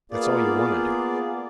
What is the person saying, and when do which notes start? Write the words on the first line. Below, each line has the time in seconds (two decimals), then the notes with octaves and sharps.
"That's all you want to do."
0.11 A#3 B3 F4 G#4 D5